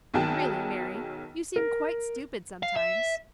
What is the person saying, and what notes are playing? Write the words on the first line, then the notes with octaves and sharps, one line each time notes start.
"Really, Mary, you seem quite stupid sometimes."
B1 D#3 F#3 G#4 G5 A5
A#4
F5
E5